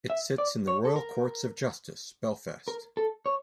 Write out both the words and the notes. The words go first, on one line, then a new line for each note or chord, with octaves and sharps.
It sits in the Royal Courts of Justice, Belfast.
E5
D5
C#5
A4
A#4
A#4
A4
C#5